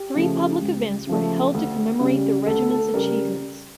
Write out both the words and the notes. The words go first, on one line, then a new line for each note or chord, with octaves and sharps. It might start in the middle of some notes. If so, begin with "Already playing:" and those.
Three public events were held to commemorate the regiment's achievements.
Already playing: G4
C#3 F3 A3
C#2
C#3 F3 A3
D2
C#3 G3
D2 A4
A4
C#3 G3 A#4